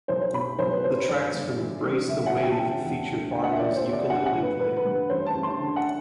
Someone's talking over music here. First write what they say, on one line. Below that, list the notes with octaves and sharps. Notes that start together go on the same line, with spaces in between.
The tracks from "Brace the Wave" feature Barlow's ukulele playing.
B1 C5
C5
B2 B5
B1 C5
B4
B2 C5
C5
G1 D5
G1
E3
G2
F#1 E5
E5
F#5
E3
G5
A5
C3 G5
E2
D2
D2 G5
F#5
E5
E3 D5
C5
C3
D5
G1 F#5
F#5
G1
B4
E3 B4
B4
G2
A1 C5
A5
A1
C6
D3 A5
F#5